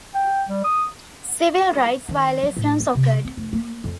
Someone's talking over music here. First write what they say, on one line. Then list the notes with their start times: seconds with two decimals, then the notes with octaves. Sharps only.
Civil rights violations occurred.
0.14 G5
0.48 G3
0.64 D#6
2.09 D#3
2.43 F#3
2.57 A2
2.80 C4
2.95 C3
3.25 C4
3.37 F1
3.53 A#3
3.84 F2